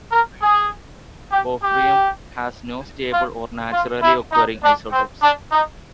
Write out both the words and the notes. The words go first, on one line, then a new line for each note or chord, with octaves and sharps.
Bohrium has no stable or naturally occurring isotopes.
A#4
G#4
G4
G4
F4
F4
E4
D#4
D4
C4
D4
D#4